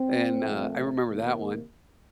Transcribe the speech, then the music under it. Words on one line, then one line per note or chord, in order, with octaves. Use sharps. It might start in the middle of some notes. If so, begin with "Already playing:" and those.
and, uh, I remember that one,
Already playing: C4
A#2 F3 A3
C3 D#3 A#3